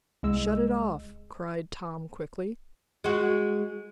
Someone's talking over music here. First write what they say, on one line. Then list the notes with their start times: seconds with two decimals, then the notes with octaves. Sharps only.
"Shut it off!" cried Tom quickly.
0.23 C2 G#3 E6
3.04 G#3 F#4